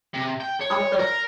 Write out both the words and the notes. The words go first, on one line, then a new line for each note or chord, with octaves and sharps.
Off the
C3
G5
C#5
A#4